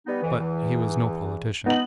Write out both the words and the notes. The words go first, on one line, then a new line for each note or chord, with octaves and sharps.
But he was no politician.
G3 B3 D#4
F2 E3
E2 E3
B3 D#4 F#7